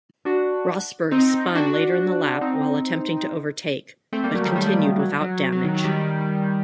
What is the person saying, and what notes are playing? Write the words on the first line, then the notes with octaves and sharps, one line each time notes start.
Rosberg spun later in the lap while attempting to overtake, but continued without damage.
D4 F#4
C4 D#4
D4 F#4
C4 D#4
A3 C4
G3 A#3
F#3 A3
D#3 G3
D#3 G3
D#3 G3
D#3 G3
D#3
F#3
F#3
F#3
D#3
F#3
D#3 G3